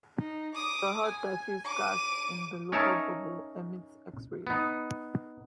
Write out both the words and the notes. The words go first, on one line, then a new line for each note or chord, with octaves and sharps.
The hot diffuse gas in the Local Bubble emits X-rays.
D#4
D6 D#6
G#5
D6 D#7
C#4 D#4 A#4 C#5 E5 A5
B3 D#4